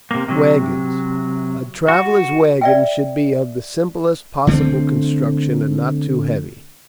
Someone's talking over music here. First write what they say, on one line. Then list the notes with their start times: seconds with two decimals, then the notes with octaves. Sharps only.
Wagons.--A traveller's wagon should be of the simplest possible construction, and not too heavy.
0.11 C3 A#3
0.28 C3 F#3
1.88 F#4
2.61 D5 E5 G5
4.47 D3 A3 B3 C4